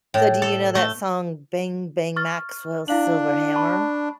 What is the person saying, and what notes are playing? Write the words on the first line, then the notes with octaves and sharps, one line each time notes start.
So do you know that song, "bang, bang, Maxwell's silver hammer"?
A2
A4
A3
C#6 F6 A6
D4 E4 F5 F#7
A5 B5 C#6